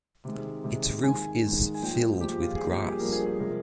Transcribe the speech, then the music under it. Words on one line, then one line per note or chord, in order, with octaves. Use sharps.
Its roof is filled with grass.
C3 D#3 G#3
C3 D#3 G#3
G#2 D#3 G#3 G#5
G#2 D#3 G#3
G#5
A#2 F3 G#3 G5
A#2 F3 G#3 G4
F4
G#4
G2 F3 A#3 G4
G4
G#4
G2 F3 A#3 A#4
G#4
G#4
C3 F3 G#3 A#4